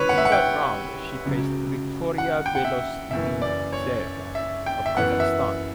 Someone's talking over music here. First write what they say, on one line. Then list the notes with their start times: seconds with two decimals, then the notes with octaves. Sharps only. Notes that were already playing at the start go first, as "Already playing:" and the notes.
In that round, she faced Viktoriya Beloslydtseva of Kazakhstan.
Already playing: D2 C#3 G3 C#4 E4 B4 C#5
0.09 F#5
0.18 E5
0.25 F#5
0.32 G5
1.25 C#2 C#3 F#3
2.18 F#5
2.46 G5
2.55 F#5
2.64 E5
3.11 F#1 F#2 E3 E5
3.42 D5
3.72 C#5
4.35 E5
4.66 G5
4.86 E5
4.97 F#2 E3 B3 E4 F#5
5.20 E5